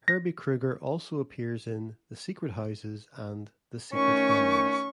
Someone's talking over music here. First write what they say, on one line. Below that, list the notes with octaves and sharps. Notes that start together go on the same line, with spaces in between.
Herbie Kruger also appears in "The Secret Houses" and "The Secret Families".
A#6
D#3 A3 C#4 C#6